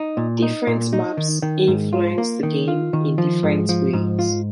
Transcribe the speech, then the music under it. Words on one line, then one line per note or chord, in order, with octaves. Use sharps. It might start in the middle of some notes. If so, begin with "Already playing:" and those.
Different maps influence the game in different ways.
Already playing: D#4
A#2
D#4
A#2
D#4
D#3
D#3
G#2
F4
A#3
D#3
F4
D#3
F3
G#2
F3
G#2
F4